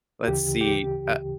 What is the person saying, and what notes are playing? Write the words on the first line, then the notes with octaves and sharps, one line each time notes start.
Let's see, uh
F#4
D2 C#3 E3 G4
G4